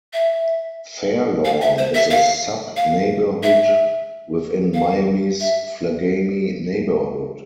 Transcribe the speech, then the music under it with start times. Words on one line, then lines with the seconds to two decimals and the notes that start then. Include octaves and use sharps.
Fairlawn is a sub-neighborhood, within Miami's Flagami neighborhood.
0.13 E5
1.45 F5
1.62 E5
1.78 C5
1.95 E5
2.11 F5
2.76 F5
3.43 E5
4.74 F5
5.40 E5